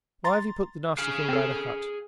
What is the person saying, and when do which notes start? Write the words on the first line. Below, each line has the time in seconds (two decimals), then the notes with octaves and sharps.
Why have you put the nasty thing by the hut?'
0.24 A#5 C6 A6
0.98 G#4 F5
1.29 C4 A4